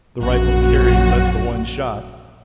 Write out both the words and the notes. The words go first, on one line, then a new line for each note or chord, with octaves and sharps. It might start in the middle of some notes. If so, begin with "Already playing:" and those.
The rifle carried but the one shot.
A#1 F#2 F#4